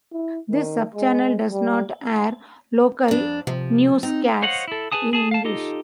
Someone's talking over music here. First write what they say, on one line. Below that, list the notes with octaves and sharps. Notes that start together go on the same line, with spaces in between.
This subchannel does not air local newscasts in english.
E4
D#3
G#3
G3
F2 D4
C3 F3
C4 D#4
C5 C#5 D#5 F5 F#5
E4 A4
G#4 B4 G#5 A5 D#6
G#4 A5 D#6
F5 A5
D#4 F4 G4 A4 D#5